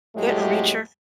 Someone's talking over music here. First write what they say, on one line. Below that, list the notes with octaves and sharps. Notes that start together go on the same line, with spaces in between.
Didn't reach her.
F2 A2 F#3 G#3 A3 G4